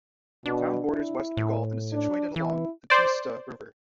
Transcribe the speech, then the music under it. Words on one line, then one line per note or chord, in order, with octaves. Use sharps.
The town borders West Bengal and is situated along the Teesta river.
B2 D4
E4
A2
D4
E3 E4
C5 D5